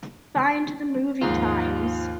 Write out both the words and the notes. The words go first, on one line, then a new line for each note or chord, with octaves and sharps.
Find the movie times.
D#2 G#2 F3 F4